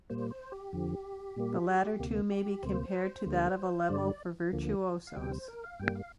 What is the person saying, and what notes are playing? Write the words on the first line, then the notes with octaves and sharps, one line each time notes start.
The latter two may be compared to that of a level for virtuosos.
A#2 G3 A#3 C5
C5
G4
F2 D3 F3
A#2 G3 A#3
D2 C3 A#3
G4
D2 C3 A#3 C5
D2 D3 G3 A#3
G2 D3 G3 D5
D2 D3 F3 A#3
F5
D2 C3 G3 G5
C5
A#4
F5
G2 G3 A#3 G5
F5